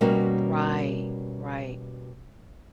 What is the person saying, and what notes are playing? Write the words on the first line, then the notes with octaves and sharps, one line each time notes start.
Right, right,
B2 G3 A#3 C#4 F#4 A#4